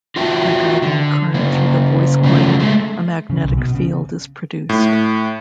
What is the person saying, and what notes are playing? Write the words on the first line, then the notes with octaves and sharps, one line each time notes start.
By driving a current through the voice coil, a magnetic field is produced.
F4 F#4 E5 G5 A5
D3
C#3 A#3
C#3 F3 F#3 A3 A4
G#3 A3
C#3
B1
B2
C#3
A2